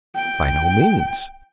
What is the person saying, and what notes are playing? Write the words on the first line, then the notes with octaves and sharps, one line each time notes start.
"By no means."
G5